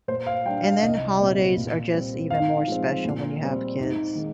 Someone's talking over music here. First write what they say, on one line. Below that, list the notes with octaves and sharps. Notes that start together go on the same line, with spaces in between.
and then holidays are just even more special when you have kids.
A#2 C5
F5
G3 D4 G5
F5
C2 D#5
A#2 G3 C4
A#2
G3 C4
G#2 F5
F3 G#3 C4
A#2
G3 C4
G#2
D#3 G#3